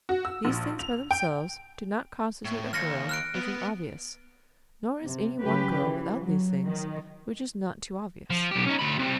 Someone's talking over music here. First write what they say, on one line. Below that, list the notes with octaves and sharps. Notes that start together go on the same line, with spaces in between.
These things by themselves do not constitute a girl which is obvious; nor is any one girl without these things which is not too obvious.
F#4
E6
A#1
F7
G5
A2
D#2 F6 A#6 C#7
F6 F#6 D7
B3
C3
C#3 F#3 G4 B4
E3
F#3
D#3
F3
B1 G4
C#4 D#4
D2 B5
C3 G3